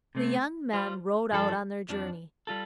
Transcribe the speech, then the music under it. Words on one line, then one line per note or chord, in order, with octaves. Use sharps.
The young men rode out on their journey.
C3 A3 C4
G3 F4 C5
G2 F3 D4 A4
F2 F3 D4
G3 F4 A4